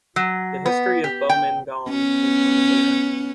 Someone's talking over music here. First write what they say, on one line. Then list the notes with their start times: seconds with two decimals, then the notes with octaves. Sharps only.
The history of Bo Min Gaung is unclear.
0.16 F#3
0.66 B3
1.04 G4
1.29 G5
1.89 B3 C#4